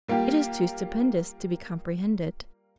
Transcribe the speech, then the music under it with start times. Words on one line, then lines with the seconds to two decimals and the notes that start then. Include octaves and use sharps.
It is too stupendous to be comprehended.
0.08 G3 A#3 F4 G4